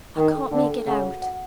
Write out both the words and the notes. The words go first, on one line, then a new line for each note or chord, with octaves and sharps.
I can't make it out.
D#3 G5
A4
D3 A4
A4
C#3 F#5
F#4
F#5